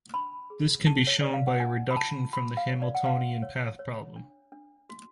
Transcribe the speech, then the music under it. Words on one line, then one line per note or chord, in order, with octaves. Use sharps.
This can be shown by a reduction from the Hamiltonian path problem.
D4 B5
G#4
G#4 A5
C#5
B4 D5
F5
F#5
D4 G#5
B5
F4 A5
F#4 B5
F5
C#5
D5
F#5
F#4 F5
C#5
C#5
D4
D4
F#4